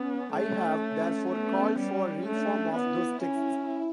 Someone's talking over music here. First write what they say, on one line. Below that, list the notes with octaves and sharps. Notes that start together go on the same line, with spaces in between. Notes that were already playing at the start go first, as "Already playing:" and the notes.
I have therefore called for reform of those texts...
Already playing: B3 C#4
A3
A3 B3
G3 C#4
A3 D4
B3 E4
C#4